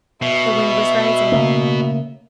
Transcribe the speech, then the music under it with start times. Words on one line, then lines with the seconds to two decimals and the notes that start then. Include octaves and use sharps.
The wind was rising.
0.22 B2 E5
1.32 C#3 A3 A#3